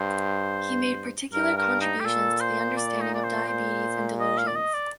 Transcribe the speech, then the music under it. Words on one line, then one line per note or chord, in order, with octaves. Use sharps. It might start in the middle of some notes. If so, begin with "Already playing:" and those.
He made particular contributions to the understanding of diabetes and delusions.
Already playing: G2 C5
G2 A#4
A#4
D#4
G4
A#2 A4
C5
D5
D#4
D5
C5
C5
D#5
F5
D5
D#5
D5